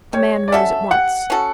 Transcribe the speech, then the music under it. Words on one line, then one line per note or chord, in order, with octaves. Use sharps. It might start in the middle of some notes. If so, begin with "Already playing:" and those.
The man rose at once.
G3 C#5
D5
C#4 F#4 A4 E5
G3 F#5
C#4 F#4 A4